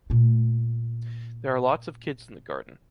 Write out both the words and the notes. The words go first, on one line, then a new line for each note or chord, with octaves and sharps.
There are lots of kids in the garden.
A#2 A3